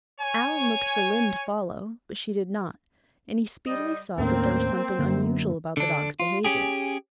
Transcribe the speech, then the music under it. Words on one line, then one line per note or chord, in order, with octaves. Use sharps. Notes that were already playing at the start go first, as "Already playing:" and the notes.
Alan looked for Lynde to follow, but she did not, and he speedily saw that there was something unusual about the dog's behaviour.
C#5 G#5
G3 D#5
D#2 A2 A#3 C4 C#4
F#2 D3 A#3
D3 D4
F4
C#4 G4 G#4